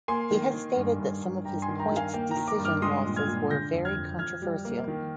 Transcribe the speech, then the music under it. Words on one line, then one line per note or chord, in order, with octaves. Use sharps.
He has stated that some of his points decision losses were "very controversial".
A#3 G#5 C6
D#3
D#3
G2
G2
G2
G2 G5 A#5
G#5 C6
D#3
G5 A#5
D#3
F5 G#5
A#3 G5
G5 A#5
D#3
A#5 D6
G2
D6 F6
G#3 C6 D#6
A#2
F6 G#6
A#2
D3 G6 A#6
F2
F6 G#6
F2
F2 F6 G#6
G3
A#3
D#3